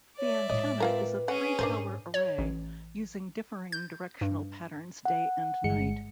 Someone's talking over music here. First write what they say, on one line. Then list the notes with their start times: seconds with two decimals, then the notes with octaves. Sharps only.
The antenna is a three-tower array, using differing directional patterns day and night.
0.18 C#5 D5 E5
0.50 A2 G#3 C#5 D#5
0.80 C4 F4 A#4 B4
1.28 C#4 G#4 F#5
1.59 G#2 D4 A#4 C5
2.14 C#5
2.38 A1
3.72 G6
4.21 G2
5.05 F#5
5.64 G1 G#3 C#7